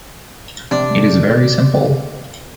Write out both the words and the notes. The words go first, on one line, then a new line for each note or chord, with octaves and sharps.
It is very simple.
C3 D4 D5